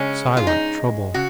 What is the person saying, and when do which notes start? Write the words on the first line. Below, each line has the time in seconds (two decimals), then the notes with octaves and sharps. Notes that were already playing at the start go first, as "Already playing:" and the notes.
Silent trouble.
Already playing: C#3 G#3 C#4
0.37 F4
0.47 D#4
1.14 C#3 F#4